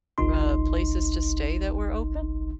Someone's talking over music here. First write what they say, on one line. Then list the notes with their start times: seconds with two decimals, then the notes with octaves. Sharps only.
uh, places to stay that were open?
0.18 G1 C2 D#4 C6